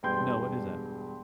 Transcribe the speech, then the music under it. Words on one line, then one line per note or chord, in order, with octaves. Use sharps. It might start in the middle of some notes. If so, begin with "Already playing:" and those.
No, what is that?
E1 G2 G5 C6 G6